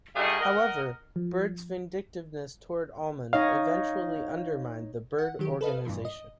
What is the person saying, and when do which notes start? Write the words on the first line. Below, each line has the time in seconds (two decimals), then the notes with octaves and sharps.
However, Byrd's vindictiveness toward Almond eventually undermined the Byrd Organization.
0.15 D2 G3 A3 G#4 D#5 F5
0.40 A#4 D#5 F#5
1.16 F3
3.33 D#4 C#5 D#5 F5
5.18 F#5
5.39 D#3 F#3 G4
5.61 A4 B4 D#5 F5
5.85 G2 A#2 E3 F3
6.05 D#5